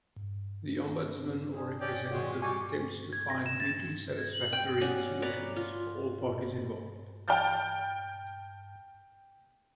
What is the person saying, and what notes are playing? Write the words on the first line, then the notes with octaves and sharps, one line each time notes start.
The ombudsman or representative attempts to find mutually satisfactory solutions for all parties involved.
D4 G#4
C#4 D5 G5
A#2 D#3 G#3 F#4 G5
G3 F#4 G#5 C#6 D6
G#6
A#6
E7
A6
G#6
F#7
G5
C#4 F#4 D5
B4 C#5 D5 A#5
F4
G5 A5 F6 G6 A6